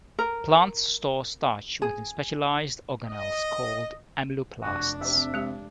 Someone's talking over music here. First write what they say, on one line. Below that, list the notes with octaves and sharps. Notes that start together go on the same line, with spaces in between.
Plants store starch within specialized organelles called amyloplasts.
A#4
G#4
D#5
F1 D4 F#4
C3 E5
G#3 G4